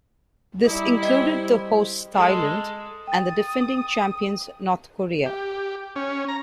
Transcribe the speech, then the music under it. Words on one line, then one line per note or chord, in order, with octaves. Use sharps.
This included the hosts Thailand and the defending champions North Korea.
G3 E4 D5 D#5 A#5
C4 D#5 G#6
G#3 A4
G5 D#6 A6
G4
C#4
A#5